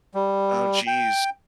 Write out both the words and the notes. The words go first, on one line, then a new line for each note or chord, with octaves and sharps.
Oh, jeez.
G3
G5